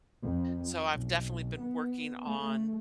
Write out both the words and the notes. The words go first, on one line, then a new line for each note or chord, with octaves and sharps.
So I've definitely been working on
F2
B1
B3
A3